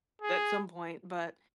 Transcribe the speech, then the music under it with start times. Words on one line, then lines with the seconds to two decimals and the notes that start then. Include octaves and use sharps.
that some point, but,
0.22 G#4